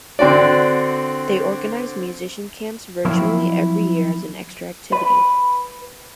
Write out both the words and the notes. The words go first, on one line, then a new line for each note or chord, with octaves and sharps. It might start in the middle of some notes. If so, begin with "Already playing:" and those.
They organize musician camps virtually every year as an extra activity.
D3 C4 D4 F#4 D5
F3 F#3 A#3 C4 E4 F4
B4